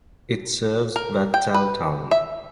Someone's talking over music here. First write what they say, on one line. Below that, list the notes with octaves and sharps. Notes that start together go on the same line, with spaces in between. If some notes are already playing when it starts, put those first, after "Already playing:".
It serves Vadtal town.
A#4
G5
B4
E5